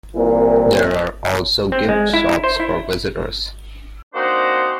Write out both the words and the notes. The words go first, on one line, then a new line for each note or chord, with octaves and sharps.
There are also gift shops for visitors.
C2 A#2 E3 C4
C4
G#3
E4
C5
E4
A#3 C4 D4 D#4 F#4 C5